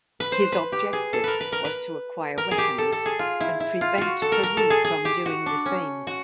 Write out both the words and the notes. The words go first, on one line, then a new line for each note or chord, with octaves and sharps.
His objective was to acquire weapons and prevent Peru from doing the same.
B4
C5
B4
G4
G#4
A4
A#4 B4
B4
A#4
B4
A#4
G#4
G4
A4
A4
G#4
F4
E4
E4
F4
F4 F#4
A4
A#4
A#4
A4
G#4
G#4
G4
F#4
D4
C#4
F#4